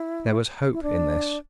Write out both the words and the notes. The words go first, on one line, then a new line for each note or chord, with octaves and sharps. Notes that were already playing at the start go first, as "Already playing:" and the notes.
There was hope in this.
Already playing: E4
E4
D4